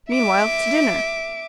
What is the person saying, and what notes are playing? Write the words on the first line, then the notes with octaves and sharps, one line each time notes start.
Meanwhile, to dinner!
E5 D6